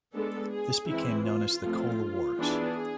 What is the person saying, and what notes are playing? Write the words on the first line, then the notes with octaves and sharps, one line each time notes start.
This became known as the "Cola Wars".
G#3 B3 D4 A4
G#4
E3 G#3 C4 E4
F4
F3 A3 C4
E3 B3 D4 G#4